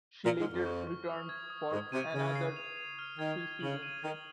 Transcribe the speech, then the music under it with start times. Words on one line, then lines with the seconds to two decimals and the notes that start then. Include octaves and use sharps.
She later returned for another three seasons.
0.24 A#2 F6
0.38 G#2
0.45 F6
0.53 F2
0.66 C#6
0.87 C#6
1.09 D#6
1.29 G#6
1.50 D#6
1.71 G#2 D#6
1.92 C3 D#7
2.13 C#3 G#6
2.35 C7
2.56 F7
2.77 F7
2.99 F6
3.18 D#3 G#6
3.40 G#6
3.61 C#3 F#7
3.82 D#7
4.04 D#3 G#6